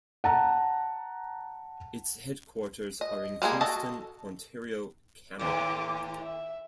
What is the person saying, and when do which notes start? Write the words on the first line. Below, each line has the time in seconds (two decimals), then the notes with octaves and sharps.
Its headquarters are in Kingston, Ontario, Canada.
0.24 F#5 A5 A#5
3.01 D#5
3.42 G3 G#3 A#3 G#4
3.61 F#4 A4 D#5 A5
5.39 D#2 A2 D6
6.22 E5